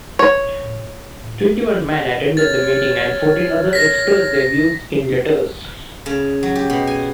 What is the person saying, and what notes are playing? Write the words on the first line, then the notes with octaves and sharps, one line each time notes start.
Twenty-one men attended the meeting and fourteen other expressed their views in letters.
C#5
C#5 F6 A6
A#6 B6
C#3
F#3
G4
B2
G#5